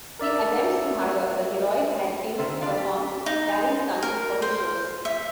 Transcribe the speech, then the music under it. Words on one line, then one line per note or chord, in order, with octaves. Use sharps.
He attempts to hire the heroic Hurricane to perform daring stunts for his shows.
A#4 D5 E5 E6
D3 D#3 C5 E5
D4 F4 D5 F5
G4
D#4
A#4
C5
E5